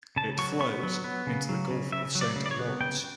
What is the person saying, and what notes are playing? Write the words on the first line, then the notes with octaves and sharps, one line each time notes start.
It flows into the Gulf of Saint Lawrence.
C#3 A5
F#3 C#6
B3 C#6
F#3
B3
C#3
F#3
C#3
C#3 E5
F#3
D5
C#3
D5
C#5
B3
C#3 G5